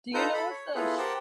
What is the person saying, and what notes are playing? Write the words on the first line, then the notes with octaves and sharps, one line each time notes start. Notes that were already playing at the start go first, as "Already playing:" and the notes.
Do you know if the sh
D#4 F4 A4 B4 A#5 G6
A4 B5
C#5
B3 E4 F4 G#4 A4 B4
G4 A#4 C5 F#5 G5 A5